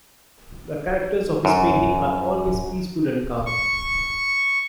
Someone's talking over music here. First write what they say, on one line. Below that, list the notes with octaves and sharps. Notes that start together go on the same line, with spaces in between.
The characters of his paintings are always peaceful and calm.
F#2
C#6